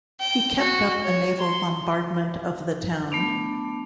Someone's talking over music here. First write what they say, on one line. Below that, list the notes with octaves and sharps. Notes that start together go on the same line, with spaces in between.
He kept up a naval bombardment of the town.
G5
F#4
C#5
C6
A3 B3 D4